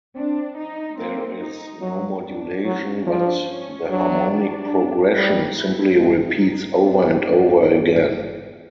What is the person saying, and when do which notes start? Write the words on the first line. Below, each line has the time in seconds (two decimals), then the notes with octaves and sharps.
There is no modulation, but the harmonic progression simply repeats over and over again.
0.15 C4 D4
0.57 D#4
0.99 A#3 C4
1.41 D#4
1.81 F#3
2.24 D4
2.65 F#3 C#4
3.06 F3 D4
3.48 C#4
3.90 F#3 D4
5.15 G3 D#4
5.57 E4
5.98 G#3 D#4
6.81 C4 D4
7.23 D4